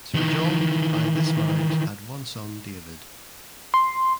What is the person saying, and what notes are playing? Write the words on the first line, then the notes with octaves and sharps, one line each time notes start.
Sir John by this marriage had one son David.
D#3 E3
C6